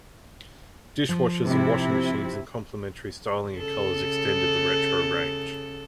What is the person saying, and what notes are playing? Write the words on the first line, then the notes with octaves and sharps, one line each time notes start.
Dishwashers and washing machines in complementary styling and colours extended the retro range.
F3
C3 E4
C#3 A4